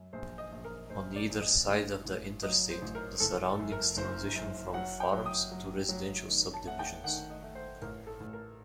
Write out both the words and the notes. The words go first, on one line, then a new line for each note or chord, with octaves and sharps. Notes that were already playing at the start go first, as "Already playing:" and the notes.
On either side of the Interstate, the surroundings transition from farms to residential subdivisions.
Already playing: F#2
A#1 C5
D#5
A#1
A#4
A#1 C5
D5
A#1
D#5
A1
A1
F#3 D#5
C5
A1
A#4
F#1 A4
F#2
A#4
F#1 C5
F#2
F#3 F#5
G5
F#3
D#6
F#3
F#3
D#3
A5
A3 F#5
G5
D#3 F#5
D#5
A3
C5
A1 A#4
A4
A1
A#4